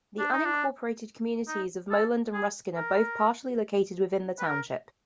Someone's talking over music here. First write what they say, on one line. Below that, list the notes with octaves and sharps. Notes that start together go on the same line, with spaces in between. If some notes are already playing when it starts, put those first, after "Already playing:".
The unincorporated communities of Moland and Ruskin are both partially located within the township.
D4
D#4
D4
D#4
A4
G#4
A#4
B4
A#4